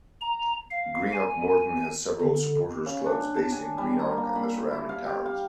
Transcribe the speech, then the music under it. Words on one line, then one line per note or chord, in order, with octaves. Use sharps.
Greenock Morton has several supporters' clubs based in Greenock and the surrounding towns.
A#5
F5
G#5
D3
C#3
D4
A5
G#5
G3
A#5
A#3
B5
E4
F5
G4
F5